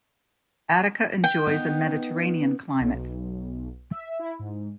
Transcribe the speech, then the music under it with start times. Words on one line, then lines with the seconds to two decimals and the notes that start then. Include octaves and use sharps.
Attica enjoys a Mediterranean climate.
1.24 G5
1.47 B3 D#4
2.80 B1
3.92 E5
4.19 E4
4.39 G#2